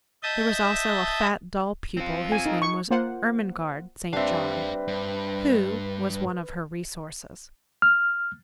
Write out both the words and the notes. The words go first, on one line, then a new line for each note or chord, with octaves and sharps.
There was also a fat, dull pupil, whose name was Ermengarde St. John, who was one of her resources.
D#5 E5 A5 D#6 G6
C4 F4
G#5
D#4
C#6
A#3 F4 C5 F#5
G3 C4 D4 G4 B4 E5 F5
G2
F6